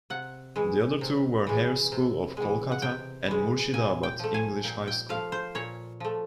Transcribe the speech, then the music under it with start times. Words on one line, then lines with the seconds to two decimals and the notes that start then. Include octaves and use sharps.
The other two were Hare School of Kolkata and Murshidabad English High School.
0.10 C3 F#5
0.56 E3 G#3
1.01 C3
1.47 E3 G#3
1.92 C3
2.37 E3 G#3
2.72 F#5
2.82 C3 G5
3.28 E3 G#3
3.73 A#2 G#5
4.03 G5
4.19 F3 A3
4.34 G#5
4.64 A#2 G5
4.87 G5
5.09 F3 A3 F5
5.32 C5
5.55 A#2 C#5
6.00 F3 A3